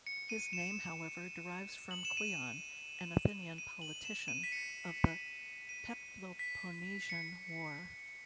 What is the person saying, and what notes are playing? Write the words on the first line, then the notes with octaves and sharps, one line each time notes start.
His name however derives from Cleon, an Athenian politician of the Peloponnesian War.
C#7
D#7
E7
F#7
E7
D#7
D#7
F#7
E7
D#7
B6
C#7
D#7
B6
C#7